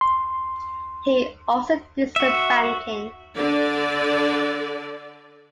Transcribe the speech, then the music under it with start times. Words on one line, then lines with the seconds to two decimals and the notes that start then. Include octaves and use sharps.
He also did some banking.
0.01 C6
2.16 F#4 E5
3.36 D3 D5